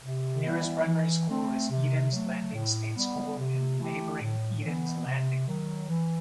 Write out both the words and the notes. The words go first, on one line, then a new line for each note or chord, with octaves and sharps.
The nearest primary school is Edens Landing State School in neighbouring Edens Landing.
C3
E3 G3 B3 E4
E3
A3 C4
C3
F#3 A3
A2
G3 B3
C3
E3 A3 E4 G4
A2
E3 B3
C3
D#3 F#3
E3